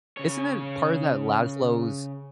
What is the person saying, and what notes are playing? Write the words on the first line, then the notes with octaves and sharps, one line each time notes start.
Isn't it part of that Laszlo's
C#3 C#5